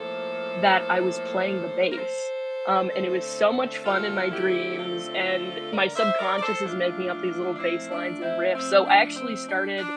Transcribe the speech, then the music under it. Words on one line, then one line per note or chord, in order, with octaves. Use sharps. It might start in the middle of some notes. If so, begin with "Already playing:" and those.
that I was playing the bass. Um, and it was so much fun in my dreams and my subconscious is making up these little baselines and riffs. So, I actually started
Already playing: A2 F3 A#3 A4 C5
A#4
A4 C5
D3 A3 C4
F4 A4
E4 G4
F4 A4
A#4 D5
C5 E5
A#4 D5
D5
A4 C5
A#2 F3 A3 D4 F4
D4
C4 E4
D4
C4 E4
C4
D4
C4
D4
D4